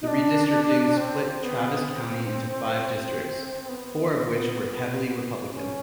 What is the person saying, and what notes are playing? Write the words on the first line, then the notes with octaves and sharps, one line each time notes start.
The redistricting split Travis County into five districts, four of which were heavily Republican.
D#4
D4
C4
B3
C4
C4
B3
C#4